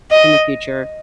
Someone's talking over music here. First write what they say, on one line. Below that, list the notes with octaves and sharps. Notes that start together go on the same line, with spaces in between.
in the future,
D#5